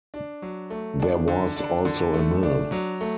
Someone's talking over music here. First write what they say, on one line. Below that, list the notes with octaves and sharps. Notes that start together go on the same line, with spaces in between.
There was also a mill.
D4
F#3
A3
D4
D3
D4
D3
A3
D4
F#3
A3